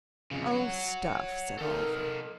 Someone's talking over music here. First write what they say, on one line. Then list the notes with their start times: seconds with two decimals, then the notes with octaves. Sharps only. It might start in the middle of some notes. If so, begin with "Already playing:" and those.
"Oh, stuff!" said Oliver.
0.31 F2 C#3
0.47 C#5 F#5
1.59 D#4 A4 A#4